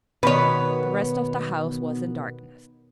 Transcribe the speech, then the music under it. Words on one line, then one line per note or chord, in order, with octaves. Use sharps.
The rest of the house was in darkness.
B2 D#3 B3 B4 C#5